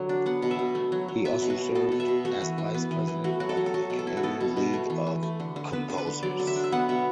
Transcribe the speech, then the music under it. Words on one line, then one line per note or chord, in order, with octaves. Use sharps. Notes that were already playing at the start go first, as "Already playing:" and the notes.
He also served as vice-president of the Canadian League of Composers.
Already playing: D3 F#3
D4
B3 F#5
B2
E5
B2
A3
F#3
F#3
B3 E5
B2
F#4
B2
B3 A4
B2
E5
B2
A3 F#4
E3
E3
B3
E3
E3
A3 F#4
F#3 F#4
A4
F#3
A4
F#3 F#4
B2
A4
E4
F#4
B3 A4
B2
B2
A3
E3
E3
A3
D3
D3
B3 B4
D3
B4
D3
F#3 D5
D3
E5
D4
E5
B3 F#5
B2 E5